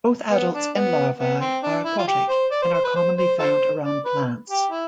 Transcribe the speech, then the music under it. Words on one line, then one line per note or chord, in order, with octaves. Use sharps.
Both adults and larvae are aquatic, and are commonly found around plants.
B3
D4
B3
B3
C4
D4
E4
F4
G4
C5
D5
C5
C5
B4
C5
C5
F4 A4 C5
D5
B4
G4
E4